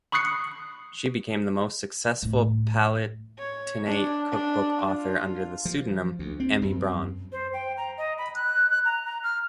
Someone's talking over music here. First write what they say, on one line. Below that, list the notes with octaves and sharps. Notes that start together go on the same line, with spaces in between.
She became the most successful Palatinate cookbook author under the pseudonym "Emmy Braun".
B5 C#6 D#6 F#6 C7 C#7
A2 A3
C#5
D4
D4
F4
F3
D2
C4
F#2
C5
G5
A#5
D#5
B5
F#6
F#6
A#5
A#5
F6